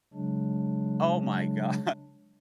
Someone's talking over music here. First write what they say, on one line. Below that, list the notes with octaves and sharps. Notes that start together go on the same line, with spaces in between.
Oh my god.
C#3 F#3 G#3 D4